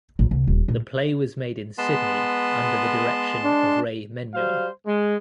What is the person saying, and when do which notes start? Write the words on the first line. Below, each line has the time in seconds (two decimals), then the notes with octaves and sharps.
The play was made in Sydney under the direction of Ray Menmuir.
0.19 A#1
0.31 C2
0.47 D#1
0.68 A#2
1.78 G#3 B3 A5 C6
3.45 D4
4.34 F#3 G3 C5 F5
4.86 G#3